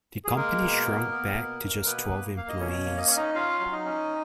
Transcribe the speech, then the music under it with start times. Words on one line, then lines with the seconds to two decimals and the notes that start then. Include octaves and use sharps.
The company shrunk back to just twelve employees.
0.25 G#4
0.35 G#3 A#3 A#4
0.60 B2
0.85 B3
1.11 B3
1.36 B2
1.61 B2
1.85 A#3 B3 B4
2.10 A#3
2.35 A#3 F5
2.49 D#5
2.60 B2 C#4 C#5
2.85 A#3
2.97 D#5
3.07 C#4 C#5
3.17 D#4 D#5
3.35 C#4 F4 F5
3.60 F#3
3.72 D#4 D#5
3.85 C#4